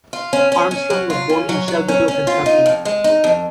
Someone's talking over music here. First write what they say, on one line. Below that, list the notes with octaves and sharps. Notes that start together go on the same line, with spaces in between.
Armstrong was born in Shelbyville, Kentucky.
F4
C#4
C#4
C#4
F#3
F4
C#4
F#3
F#3
C#4
C#4
F4
D#4
F2
G#3
D#4
F2